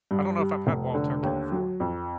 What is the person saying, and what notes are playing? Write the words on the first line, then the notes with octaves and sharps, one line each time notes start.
I don't know if I've had wild turkey before.
G2
G3
F1
D3
D#2
F#3
F2